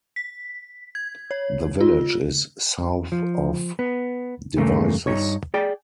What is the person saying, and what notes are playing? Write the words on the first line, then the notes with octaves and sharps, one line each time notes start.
The village is south of Devizes.
B6
G#6
C#5
F4
F3
B3
E2 G2 C#3 A3 A#3
G2 D#4 C#5
G#4 D5 G5